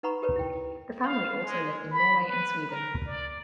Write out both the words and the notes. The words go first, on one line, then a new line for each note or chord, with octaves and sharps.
The family also lived in Norway and Sweden.
D#4 B4 F#5 A#5 B5 C#6
G4 A#4 B4 C#5
E4 G5
F5
G#3
B5
B4
A#4
D5